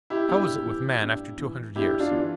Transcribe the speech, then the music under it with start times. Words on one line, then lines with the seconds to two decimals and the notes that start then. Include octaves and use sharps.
How is it with man after two hundred years?
0.10 E4 G4
0.29 G2 E4 G4
0.65 E3
1.02 G2
1.38 E3
1.76 G2 E4 G4
1.99 D4 F4
2.11 E3